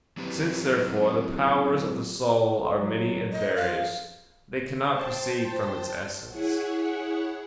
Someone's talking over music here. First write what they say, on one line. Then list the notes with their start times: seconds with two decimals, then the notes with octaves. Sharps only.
Since, therefore, the powers of the soul are many and various, they cannot proceed from its essence.
0.17 F#3 C4 E4 G4 B4
2.78 F#3
3.32 D#5
3.56 F3 F5
4.91 C5 G5 A5
6.28 E4 G#4 C#5 F#5